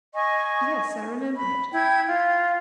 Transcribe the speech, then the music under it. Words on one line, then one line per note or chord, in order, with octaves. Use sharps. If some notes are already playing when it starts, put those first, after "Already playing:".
"Yes; I remember it."
D#5 G#5 C#6
B5
E4 G5 G#6
F4